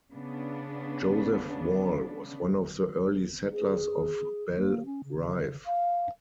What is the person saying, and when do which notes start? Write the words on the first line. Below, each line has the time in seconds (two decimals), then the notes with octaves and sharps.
Joseph Wall was one of the early settlers of Belle Rive.
0.12 C#3 B3 D4
3.51 G#4
4.56 A#3
4.85 C#4
5.04 C#3
5.65 F5